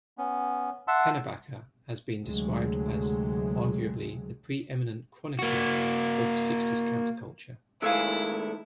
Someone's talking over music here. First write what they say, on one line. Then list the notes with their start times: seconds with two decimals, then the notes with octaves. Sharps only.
Pennebaker has been described as "arguably the pre-eminent chronicler of sixties counterculture".
0.18 B3 C#4
0.88 E5 F#5 A5 C6 E6
2.24 D2 C3 F#3 G#3
5.39 A#3 F#4
7.82 D#3 G#3 A3 E4 F5 G#5 E6